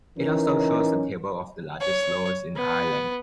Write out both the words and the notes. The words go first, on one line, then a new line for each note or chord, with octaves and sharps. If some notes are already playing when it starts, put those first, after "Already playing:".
It also shows a table of the largest loughs in Ireland.
E3 C#4 D#4 A#4
C#5
B3